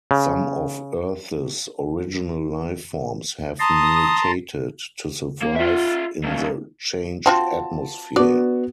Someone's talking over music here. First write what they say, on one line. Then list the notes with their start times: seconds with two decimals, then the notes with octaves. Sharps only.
Some of Earth's original life forms have mutated to survive in the changed atmosphere.
0.11 C#3
3.60 A5 A#5 C6 D#6
5.42 A#3
5.56 F4 E5
6.24 G2 C#3
7.26 C4 F4 F#4 A5
8.16 B3 D4 F#4 D5